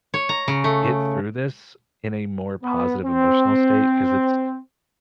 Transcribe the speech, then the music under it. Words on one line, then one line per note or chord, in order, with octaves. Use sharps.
get through this in a more positive emotional state? 'Cause it's
C#5
A#5
C#3
A3
B3
C4